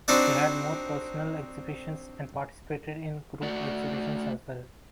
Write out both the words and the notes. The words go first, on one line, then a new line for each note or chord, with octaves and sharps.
She had made personal exhibitions and participated in group exhibitions as well.
C4 D4 D#4 F#4 D5
A3 F#4 D5 F#5